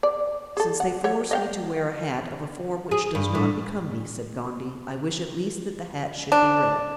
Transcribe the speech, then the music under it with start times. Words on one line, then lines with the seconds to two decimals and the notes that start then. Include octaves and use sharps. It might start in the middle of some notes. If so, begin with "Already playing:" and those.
"Since they force me to wear a hat of a form which does not become me," said Gondy, "I wish at least that the hat should be red."
0.03 D5
0.57 G#4 A4
0.80 F#5
1.04 A4 C#5 F#5
1.31 D#5 F5 G5
2.91 G#4
3.15 G2
3.35 A2
6.32 D4